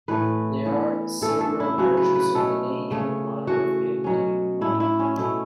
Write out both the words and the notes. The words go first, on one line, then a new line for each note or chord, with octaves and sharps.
There are several versions of the nature and manner of him leaving the party.
A2 E3 A3 B4
E3 B3
E3 A3 C#4 A4
A4
E4
C#3 F#3 A3 C#4 F#4
B4
B4
B2 A3 C#4 A4
C#3 A3 C#4
E3 A3 C#4 F#4
B2 F#3 C#4
A2 A3 C#4 E4
E4
C#4
B2 A3 C#4 E4